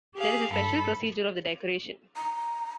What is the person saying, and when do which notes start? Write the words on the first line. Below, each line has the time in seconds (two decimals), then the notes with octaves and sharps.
There is a special procedure of the decoration.
0.16 G4 G#4 F5
0.52 G2 A4 B5
2.16 A#5